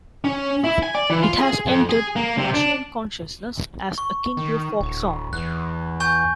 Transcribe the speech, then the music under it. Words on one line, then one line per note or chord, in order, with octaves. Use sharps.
It has entered Russian consciousness as akin to a folk song.
C#4
E4
G#5
D5
E3
F4
G#4
F2
G#4
A#3
C3
D4
C#6
D#3
D1
E2 F#6
G#5 C#6 G6